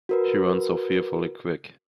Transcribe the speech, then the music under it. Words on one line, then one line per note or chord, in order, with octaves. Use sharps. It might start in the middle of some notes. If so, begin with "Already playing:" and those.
She runs so fearfully quick.
F#4 A#4 B4